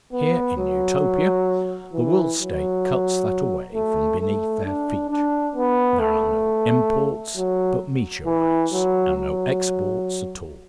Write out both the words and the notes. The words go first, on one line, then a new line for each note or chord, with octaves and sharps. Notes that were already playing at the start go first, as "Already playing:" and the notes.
Here in Utopia the World State cuts that away from beneath their feet; there are no imports but meteorites, and no exports at all.
B3
F#3
E3
F#3
A3
A3
D4
D4
B3
A3
F#3
E3
F#3
F#3